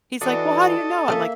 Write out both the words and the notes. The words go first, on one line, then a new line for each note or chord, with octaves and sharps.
He's, like, "Well, how do you know?" I'm, like,
E3 D4 F#4 A4 D5 D#5
C#3 A3 A#3 C#4 E5